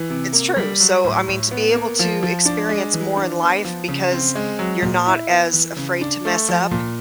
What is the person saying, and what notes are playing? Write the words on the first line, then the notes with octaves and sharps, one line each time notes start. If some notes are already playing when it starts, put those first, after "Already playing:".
It's true, so, I mean to be able to experience more in life because you're not as afraid to mess up,
Already playing: E3
C3
A#3
G3
F#3
A2
A2
B3
A#3
F3
F3
D4
G#3
E3
D4
B3
F3
C#3
C4
G#3
F#3
A#2
E4
B3
E3
C#3
D4
A3
F3
A#2